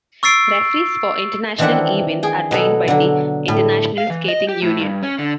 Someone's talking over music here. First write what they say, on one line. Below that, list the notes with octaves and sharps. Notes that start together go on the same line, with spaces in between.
Referees for international events are trained by the International Skating Union.
C#6 E6 A6 C7 D7
D#3 E3 C4 D4 E5 F#5
G#4 G5
B2 F#3 A4
D3 F#3
A2
F5
E3
D#5
G4
A2
G2
C#4
D3